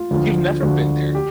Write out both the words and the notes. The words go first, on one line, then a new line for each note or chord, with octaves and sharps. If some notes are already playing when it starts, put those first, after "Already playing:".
you've never been there,
Already playing: F4
D2 D3 F3
D2 D3 F3 F#4
G4